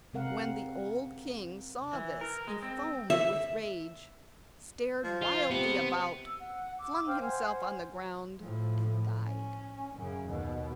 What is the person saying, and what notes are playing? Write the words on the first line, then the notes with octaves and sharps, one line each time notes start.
When the old king saw this he foamed with rage, stared wildly about, flung himself on the ground and died.
C3 G#3 C4 A#4 F5 F#5
E3
A#4
G#3
C4
E5
F3
F4
C3 B3
E6
F#5
D6 E6
C5 F5 G5 F6
C5 F#5 G#5
A2 F3
C#4
F#2 C#3
D#2 B2